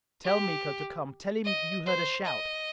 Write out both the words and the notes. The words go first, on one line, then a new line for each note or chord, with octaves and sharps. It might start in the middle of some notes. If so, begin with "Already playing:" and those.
Tell Miko to come--tell him you heard a shout.
G4
D#5
C5
D#5